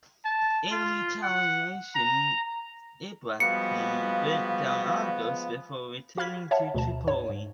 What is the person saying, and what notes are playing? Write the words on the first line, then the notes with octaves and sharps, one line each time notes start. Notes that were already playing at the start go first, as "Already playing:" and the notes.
In retaliation, Ibrahim burnt down Argos before returning to Tripoli.
A5
F4
F#5
A#5
F3 G3 G#3 B3 F#4 F5 C#7
F#4 F5 B5 F6 G#6 B6
C#5 E5 F#5 A5
D2 B2 A5
G#2 C#5
G#2